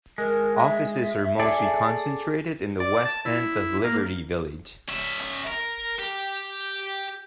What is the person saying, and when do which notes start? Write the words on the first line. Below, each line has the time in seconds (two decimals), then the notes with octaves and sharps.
Offices are mostly concentrated in the west end of Liberty Village.
0.18 G#3 A#4
0.58 E5
1.40 G#4 A4 D5
2.80 D5
3.05 A5
3.25 E4
3.84 A#3
4.89 C#4 E5
5.47 A#4
5.99 G4